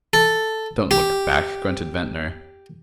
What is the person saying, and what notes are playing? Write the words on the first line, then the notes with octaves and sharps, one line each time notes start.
"Don't look back," grunted Ventnor.
A4
G4